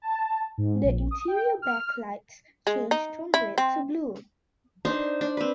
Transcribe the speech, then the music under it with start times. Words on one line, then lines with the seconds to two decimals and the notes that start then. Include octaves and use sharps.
The interior backlights changed from red to blue.
0.02 A5
0.58 G#2
0.83 A#1
1.11 D#6
1.28 G5
1.62 F6
2.67 G#3
2.91 D#4
3.34 E4
3.58 C4
4.85 D4 D#4 C5
5.21 D4
5.37 C4 B4